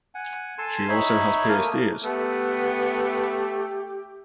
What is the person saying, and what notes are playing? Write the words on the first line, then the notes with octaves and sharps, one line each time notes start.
She also has pierced ears.
F#5 G#5
A4 G#5 A5 C6
D#4 C#5 E5 B5
A3 A#3 A#4 D#6
A3 B3 G4